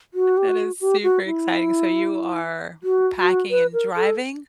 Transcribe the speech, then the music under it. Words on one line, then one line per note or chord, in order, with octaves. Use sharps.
That is super exciting, so you are packing and driving?
F#4
G4
F#4
G4
F#4
E4
F#4
F#4
B4
A#4
A4